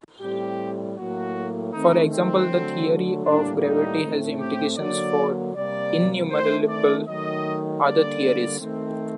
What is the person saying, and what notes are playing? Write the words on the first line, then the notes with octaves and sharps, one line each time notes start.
For example, the theory of gravity has implications for innumerable other theories.
A2 G3 C4 G4
A2 F#3 A#3 F#4
D#3 A3 C4 D#4
C4
D3 F#3 A3
A2 G3 A#3 D4
D#4
A2 A3 C4
G4
D3 F#3 A#3 D5
C3 G3 A#3 D5
D#3 A3 C4 C5
D5
D#3 F#3 A3 D#5
D3 G3 A#3 D5
D#3 A3 C4